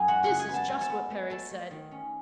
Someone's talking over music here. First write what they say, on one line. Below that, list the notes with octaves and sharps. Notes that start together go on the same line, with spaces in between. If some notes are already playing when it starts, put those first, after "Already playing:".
This is just what Perry said.
Already playing: F#2 C#4 G#4 G#5
G#3 F#4 F#5
F#4 F#5
C#3
G#4 G#5
B3
A5
G#3 G#5
A4 A5
B3
B3
A3 A4 A5
A3
D#3
C#4